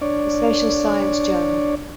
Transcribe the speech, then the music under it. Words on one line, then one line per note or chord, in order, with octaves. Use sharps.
The Social Science Journal.
D4 C#5 D5